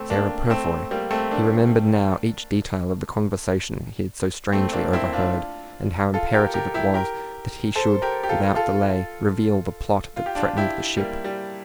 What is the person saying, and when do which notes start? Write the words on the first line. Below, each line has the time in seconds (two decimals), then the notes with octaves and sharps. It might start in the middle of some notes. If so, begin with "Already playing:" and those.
"Sarah Purfoy!" He remembered now each detail of the conversation he had so strangely overheard, and how imperative it was that he should, without delay, reveal the plot that threatened the ship.
Already playing: A3 C4
0.10 A#3 D4
0.50 A3 C4
0.91 G3 A#3
1.11 A3 C4
1.31 A#3 D4
4.53 A3 C4
4.73 A#3 D4
4.93 C4 E4
5.13 D4 F4
6.14 F4 A4
6.34 G4 A#4
6.54 G4 A#4
6.74 E4 G4
6.94 G4 A#4
7.76 A4 C5
8.02 G4 A#4
8.23 G4
8.29 F4 A4
8.55 F4 A4
10.16 F4
10.26 G4
10.35 D4 F4
10.57 E4 G4
10.97 G3 A#3
11.24 G3